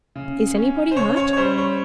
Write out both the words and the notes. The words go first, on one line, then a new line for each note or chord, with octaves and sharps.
"Is anybody hurt?"
C#3
C#4
C5
C#3 C#5
C#5
C#5
G3 C5
C#5